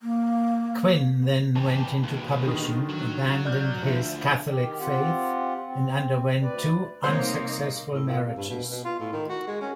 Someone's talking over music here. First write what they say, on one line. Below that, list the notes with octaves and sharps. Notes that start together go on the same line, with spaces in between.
Quinn then went into publishing, abandoned his Catholic faith, and underwent two unsuccessful marriages.
A#3
E3 G4 A5
D#2 B2
D3 D#3 D#6
F#3 F#4
D5 F6 G6
D2 F3 E4
D#3 G4
C4 F4 G4 F#5
C4
D2 B4 D5
C3 G3 A#3 C4 D#4 C5 C#5 C6
A2
A#2
C3
G2
B2
B2
F4
A2
D#3
F#4
G#3
C#4